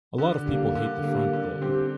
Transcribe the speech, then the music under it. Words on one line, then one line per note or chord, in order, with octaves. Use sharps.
A lot of people hate the front though.
D3
G3 A#3
D3
G3 A#3
D3
G3 C4 G4